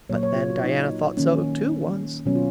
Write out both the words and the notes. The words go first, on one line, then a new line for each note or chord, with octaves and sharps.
But then Diana thought so too, once.
A#2 F#3 A#3 C#5
C#5
F4
F#4
D#4
D#3 A#3 C#4
B2 F#3 B3 C#4
F4